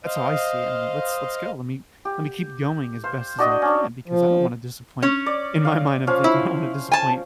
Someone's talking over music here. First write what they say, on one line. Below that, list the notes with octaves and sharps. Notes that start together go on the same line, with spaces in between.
That's how I see it and I'm like, "Let's let's go. Let me let me keep going as best as I can because I don't wanna disappoint," in my mind, I'm thinking, "I don't wanna disappoint
C5 D#5 F5
G4
C5 F5
D4 F#4 D5 D#5
C#4 D4
F3
C#4 C#5
D5
F5
F3 C#4 F5
E4
G#5 A5